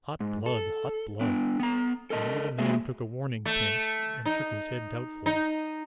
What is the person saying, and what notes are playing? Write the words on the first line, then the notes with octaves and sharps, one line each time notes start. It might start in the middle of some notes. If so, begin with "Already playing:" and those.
Hot blood, hot blood.' And the little man took a warning pinch, and shook his head doubtfully.
G#2
A4
B3 D4
B3 A#5
A4 A#4 D#5 A5
G#3 A#3 F#4 G#4 E5
A3
D#4
D#4